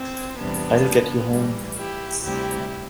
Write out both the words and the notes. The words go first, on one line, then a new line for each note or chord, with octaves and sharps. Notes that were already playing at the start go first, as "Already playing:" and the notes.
I'll get you home.
Already playing: C4
E2 C3 G3 B3 D4
A2 E3 G3
E4 G4
D2 C3 G3 E4 G4